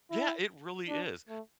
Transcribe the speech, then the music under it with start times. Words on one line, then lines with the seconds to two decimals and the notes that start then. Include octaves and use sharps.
Yeah, it really is,
0.11 E4
0.89 D4
1.29 A3